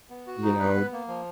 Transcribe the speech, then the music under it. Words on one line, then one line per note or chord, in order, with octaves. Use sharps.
you know
B3
F#4
D#4
B4
B3
A#3
F3